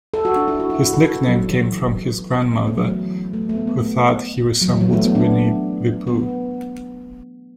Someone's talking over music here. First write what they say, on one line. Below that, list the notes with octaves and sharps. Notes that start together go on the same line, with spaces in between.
His nickname came from his grandmother, who thought he resembled Winnie the Pooh.
A4
F#4
D4
E4
F#4
E4
F#4
A4
F#4
F#3
E3
B3
A3
F#3
E3
A3
A3
B3
B3
A3
F#3
E3
F#3
A3
B3
D4
B3